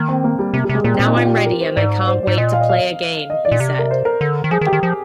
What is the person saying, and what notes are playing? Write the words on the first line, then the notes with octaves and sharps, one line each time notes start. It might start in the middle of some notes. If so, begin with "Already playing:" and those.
Now I'm ready and I can't wait to play again, he said.
Already playing: D#3 A#3
C4
A#3
G3
C3 A#3
G3
C3 G#3
A#2 A#3
C4
A#2
D#4
F4
G4
G4
A#4
C5
G#2 D5
C5
G#2 D5
A#2 D#5
F5
D#5
F5
D#5
D5
A#2
C3
A#4
C5
A#4
D3
D#3
F3 G#4
D#3
G4
D#3
F3